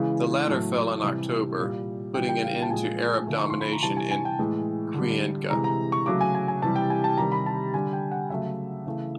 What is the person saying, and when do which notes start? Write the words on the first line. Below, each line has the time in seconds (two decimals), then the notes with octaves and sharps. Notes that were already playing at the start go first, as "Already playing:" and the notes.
The latter fell in October, putting an end to Arab domination in Cuenca.
Already playing: C#3 E3 G#3
0.47 A2 F#3 A3
1.03 C3 E3 G3
1.59 A#2 G3
2.14 C#3 E3 G3 G5
2.29 G5
2.43 F5
2.62 A5
2.70 A#2 F3 G#3 G#5
3.27 D3 F3 A3
3.39 C#6
3.50 C6
3.61 B5
3.72 A#5
3.83 C3 E3 G3 A5
3.97 G#5
4.11 G#5
4.25 G5
4.39 A2 E3 G#3
4.94 D3 G3
5.50 C3 E3 G#3 A#5
5.64 A#5
5.92 C#6
6.06 C#3 F#3 A3 D6
6.21 G#5
6.35 G#5
6.48 G#5
6.62 C3 E3 G3 A5
6.76 G5
6.90 G#5
7.04 A5
7.18 C3 D#3 G3 A#5
7.32 B5
7.46 A5
7.74 D3 G3 G#5
7.93 G5
8.11 F#5
8.30 C#3 F#3 A3 E5
8.86 C#3 E3 A3